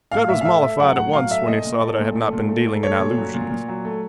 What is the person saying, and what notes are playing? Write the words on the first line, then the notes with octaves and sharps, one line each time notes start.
Jud was mollified at once when he saw that I had not been dealing in allusions.
A2 F5
A2 E5
F5
A3 E5
A3 E5
F#3 F#5
A2 F#5
F#3 F5
A3 E5
A#2 D#5
A#2
A3
A#2
A3
A#2
A3
A3
A3 C#5
A#2
F#3
A#2
A#2
F#3
A3